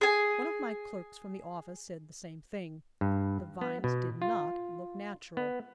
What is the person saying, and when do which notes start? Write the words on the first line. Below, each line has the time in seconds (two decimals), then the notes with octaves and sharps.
One of my clerks from the office said the same thing--the vines did not look natural.
0.01 G#4 G#5
3.01 G2
3.61 B3
3.84 B2
4.22 F4
5.37 B3